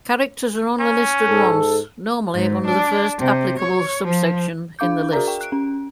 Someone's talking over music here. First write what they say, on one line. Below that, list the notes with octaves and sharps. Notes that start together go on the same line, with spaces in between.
Characters are only listed once, normally under the first applicable subsection in the list.
C#4
G#2 A4
G#2
D4
C3
C#5
F3
D4 F5 D6 G6
F#4 G#4 A#4 D5 A#5
G5
F#6 D7
C#4